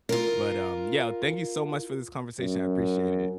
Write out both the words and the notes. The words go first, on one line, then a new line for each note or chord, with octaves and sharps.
but um, yeah, thank you so much for this conversation, I appreciate it.
F4 A#4
F#2